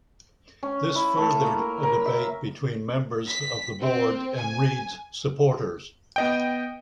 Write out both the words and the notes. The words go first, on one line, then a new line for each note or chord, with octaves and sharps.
This furthered a debate between members of the board and Reed's supporters.
C#4
E4
A3
A#3
A#4
A#4
E5
B6
C4
G#5
B3 D#5 G5